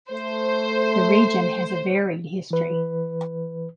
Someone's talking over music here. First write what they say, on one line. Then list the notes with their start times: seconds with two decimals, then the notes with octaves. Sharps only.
The region has a varied history.
0.11 A3 C5
2.50 E3 B4